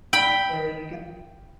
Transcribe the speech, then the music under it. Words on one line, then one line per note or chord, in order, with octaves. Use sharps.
There you go
G5 B5